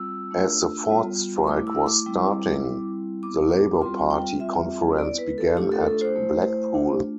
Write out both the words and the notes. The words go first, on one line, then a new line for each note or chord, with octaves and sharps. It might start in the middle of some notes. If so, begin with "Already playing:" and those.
As the Ford strike was starting, the Labour Party conference began at Blackpool.
Already playing: G3 C4 F4 E6
A3 D4 F4
G3 B3 F4
A3 E4 D6
E6
D6
G3 C4 E4
G3 C4 E4
B3 E4 D6
D6
G3 C4 F4 C6
G5
G3 C4 F4 E5
B3 E4 D5
B4
A4
A3 D4 F4 G4
A4
A4
C5
A3 E4
A3 D4 F4